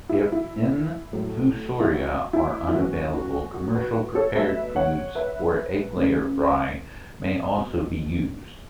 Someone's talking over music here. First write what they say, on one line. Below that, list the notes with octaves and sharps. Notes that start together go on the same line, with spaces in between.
If infusoria are unavailable, commercial prepared foods for egglayer fry may also be used.
E4
E4
A2 F#3 A3
E4
F#4
E4
E4
F#2 E3 B3 F#4
F#4
F#4
F#4 B4
A4 C#5
B2 F#3 A3 B4 E5
C#5 F#5
B4 E5
F#2 C#3 A3
B2 B3